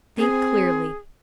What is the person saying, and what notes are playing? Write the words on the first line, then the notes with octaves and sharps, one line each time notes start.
Think clearly.
C4 G#4